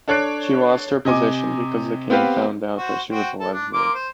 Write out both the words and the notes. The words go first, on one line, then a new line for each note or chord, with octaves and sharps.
She lost her position because the king found out that she was a lesbian.
D4 A4 C#5 F#6 C7 D7
C3 D#5 G#5 D6
B3 C4 G4 B4 F5
F#4 C5
F#4 C5 G5
A4 A5
D4
A#3 C6 D6
C5